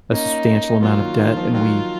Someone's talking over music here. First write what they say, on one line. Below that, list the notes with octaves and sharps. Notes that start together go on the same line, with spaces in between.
a substantial amount of debt, and we
A#3 C#4 D#4
F#3 A#3 F4
D#3 F#3
D#3
F3
D#3 F#3 F4